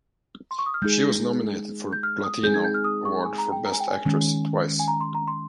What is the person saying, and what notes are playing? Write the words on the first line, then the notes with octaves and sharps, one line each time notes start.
She was nominated for Platino Award for Best Actress twice.
C6
C#6
D#6
F6
G#3 D#4 G#4 G6
G6
F6
D#6
G#3 C4 D#4 G#4 G6
G#6
G6
F6
D#6
C#6
G#5
A#5
G5
A#5
G#5
G5
G#5
D#3 G#3 C#4
G#5
A#5
C6
A#5
C6